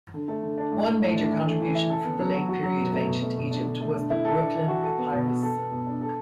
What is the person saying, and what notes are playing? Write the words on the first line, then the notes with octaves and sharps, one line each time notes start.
One major contribution from the Late Period of ancient Egypt was the Brooklyn Papyrus.
D3
A3
D3
D4
A2
A3
A2
D4
E3
A3
E3
E4
A4
B3
F#3
F#4
F#4
F#3
B2
A3
B2
A3
B2
D4
D3
A3
D3
E4
A4
D4
E3
F#4
A4
B3
B2
F#4
A4
B3
B2
D4
A4